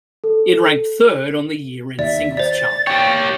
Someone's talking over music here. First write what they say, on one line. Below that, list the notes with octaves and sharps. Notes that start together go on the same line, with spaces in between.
It ranked third on the year-end singles chart.
A4
D#2 D5 E5
C5 D5 A6
G4 C#5 G5